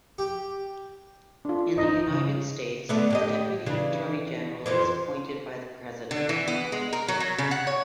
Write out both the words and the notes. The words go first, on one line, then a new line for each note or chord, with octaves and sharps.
In the United States, the Deputy Attorney General is appointed by the President.
G4
D4 F4
D#4 D#5
C#3
D3 A3 B3
A2 G4 D#5
C#3 E3 D4
F2 E3 F3
D3
E3
B3
G#3
A#4
F#3
F#3
C#3
F#5
C#5